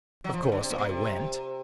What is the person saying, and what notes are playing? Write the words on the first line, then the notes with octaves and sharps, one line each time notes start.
Of course I went.
F#3
F3
C#3
D3
C3
A#2
B2
C3